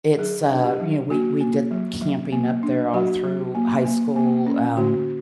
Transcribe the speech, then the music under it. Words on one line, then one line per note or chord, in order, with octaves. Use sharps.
it's, uh you know, we we did camping up there all through high school, um,
F#3 G#4
D4
G4
F#3
A#3 F#4
A#3
F#3
F#3
A#3
D4
F#3 F#4
F#3
A#3
A#3
A#3
C#4
D3 F#4